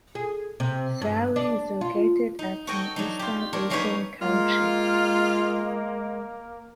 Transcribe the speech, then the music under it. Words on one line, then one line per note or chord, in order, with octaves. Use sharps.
Salley is located at in eastern Aiken County.
G#4
C3
G2
D4
F4
D#4
F#4 A4 C#5 D#5 G5
F#3 D4 D#4
F4 G4
D4 A#4 C#5
F#3 A#3 C#4 D#4 B4 C#5
G#3 A#3 F4